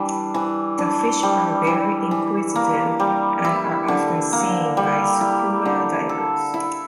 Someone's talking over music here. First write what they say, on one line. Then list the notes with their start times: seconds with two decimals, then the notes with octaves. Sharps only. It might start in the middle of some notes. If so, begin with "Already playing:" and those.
The fish are very inquisitive and are often seen by scuba divers.
Already playing: E3 G3 D4
0.34 E3
0.78 D4
1.23 G3
1.67 E3
2.11 E3
2.56 A#3
3.00 G3
3.44 E4
3.88 D3
4.32 A#3
4.77 G3
5.21 E4
5.65 D3
6.09 A4
6.54 E4